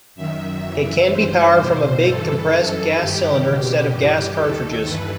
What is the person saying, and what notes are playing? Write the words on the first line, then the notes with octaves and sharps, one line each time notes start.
It can be powered from a big compressed gas cylinder instead of gas cartridges.
F#2 D#3 E5
F#2 E3
G2 E3 C5
E2 B2 C5
G2 E3 A4
F#2 E3
G2 D#3 G4
E2 B2 G4
G2 E3 G4
D#2 D#3 A4
G2 E3 B4